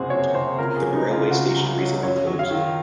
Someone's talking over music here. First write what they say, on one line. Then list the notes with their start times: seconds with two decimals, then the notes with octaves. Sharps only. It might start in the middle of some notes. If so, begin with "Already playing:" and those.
The rail way station recently closed.
Already playing: F#1 F2 C3 F#3 F#4 G#4 C5
0.10 F#3 C#5
0.35 C3 C5
0.58 C#2 A#4
0.76 G#4
0.83 F#3
0.95 D#4
1.07 C#3
1.12 F4
1.30 C#2 F#4
1.55 C#2
1.79 F#3
2.03 F#2 C#5
2.27 F#3
2.39 F5
2.51 D#3